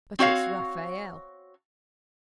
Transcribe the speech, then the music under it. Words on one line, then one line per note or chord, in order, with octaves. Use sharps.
"But it's Raphael."
C4 F#4 C#5 F5